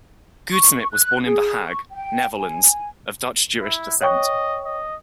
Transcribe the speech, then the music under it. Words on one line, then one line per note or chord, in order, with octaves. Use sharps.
Goudsmit was born in The Hague, Netherlands, of Dutch Jewish descent.
C#6
F#6
G#4
C#6
G5
G#5
E4
C#5 D#5 G5 C#6
D#5